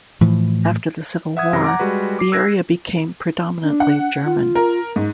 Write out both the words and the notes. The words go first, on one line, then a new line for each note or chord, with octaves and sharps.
After the Civil War, the area became predominantly German.
A2 E3 F3
E5 F#5 D#6 G#6
F#2 C3 A#6
F#5 A#5 D6
G3 G#3 F#4 B4
D6 C7
E6 F#6 G#6 A#6
D4
F#5
F4
A#4
G#2